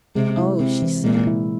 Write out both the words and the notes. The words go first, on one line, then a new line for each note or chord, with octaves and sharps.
"Oh," she said.
C3 G#3
E4
C3 C4
E3
A#2 G#3
E4